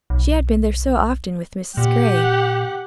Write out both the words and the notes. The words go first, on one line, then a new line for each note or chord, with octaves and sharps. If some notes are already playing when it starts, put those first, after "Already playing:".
She had been there so often with Mrs. Gray.
B1
A#2 G4 F#5